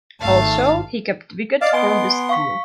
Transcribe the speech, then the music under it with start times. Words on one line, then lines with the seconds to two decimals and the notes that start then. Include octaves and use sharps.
Also he kept wicket for the school.
0.21 G#1 A3 F5 A5
1.61 D5 D#5 F5
1.73 B3 G#5 C6 D7
2.29 F5 C#6 B6